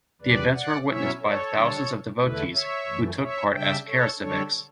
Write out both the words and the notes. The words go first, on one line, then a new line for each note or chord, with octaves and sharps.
The events were witnessed by thousands of devotees who took part as "Karasevaks".
E2 C#3 G3 B4 D5
D5 F#5
B2 F#3 C#4 E4 C#5 E5
A4 C#5
D3 G3 D4
E2 D3 A3 E4 B4
C#5 E5
F#2 E3 A3
C#5 E5
C#3 G3 D4 E5 G5
A4 C#5
D3 G3 D4 A4 C#5